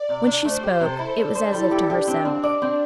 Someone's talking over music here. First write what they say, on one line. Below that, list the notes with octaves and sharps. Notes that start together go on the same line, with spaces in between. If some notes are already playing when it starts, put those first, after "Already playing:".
When she spoke, it was as if to herself.
Already playing: D5
C3
D4
A3 C5
G4
C3 A4
E4
D4
C5
G3 E4
G4
D4 G4
C4
C4
D5
C4